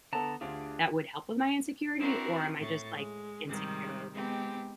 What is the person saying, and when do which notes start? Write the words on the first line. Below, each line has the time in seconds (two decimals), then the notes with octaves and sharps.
that would help with my insecurity, or am I just, like, insecure?
0.13 D3 B3 A4 A5 A#5
0.41 D2 D4 F4 G4 G#4
1.99 C4 D4 E4 F#4 A#4
2.59 A2 C#6 A6
2.94 G#3
3.47 G#2 C3 D#3 G3
4.13 G#3 B3 C4 D#4 G4